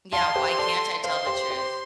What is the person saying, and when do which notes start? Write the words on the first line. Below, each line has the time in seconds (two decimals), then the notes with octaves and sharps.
Yeah, why can't I tell the truth?
0.12 F5 A5 C6
0.35 G4 C5
0.58 A4 D5
1.04 C5 F5 C6
1.27 G4 C5
1.50 G4 C5